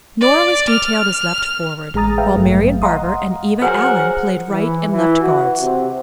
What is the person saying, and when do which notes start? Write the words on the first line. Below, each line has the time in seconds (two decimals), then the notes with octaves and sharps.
Nora was detailed as left forward, while Marian Barber and Eva Allen played right and left guards.
0.21 D5
0.69 F6
1.94 A1 G#3 G#4 A#5 D#6 A6
2.18 B4 E5 F5 G5
2.36 A1 G2 F#3 A3
2.82 D#5 F5 F#5 A#5 C6 D#6
3.61 F#3 G#4 A#4 C5 F#5
4.50 E3
4.92 E3
5.21 F#4
5.61 C3